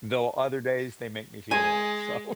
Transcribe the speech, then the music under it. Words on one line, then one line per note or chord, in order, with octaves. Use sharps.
Though other days they make me feel old, so
G#3 G#5